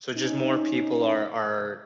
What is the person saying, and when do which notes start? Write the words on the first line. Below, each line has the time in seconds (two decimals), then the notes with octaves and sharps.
So just more people are are
0.16 C#4 D#4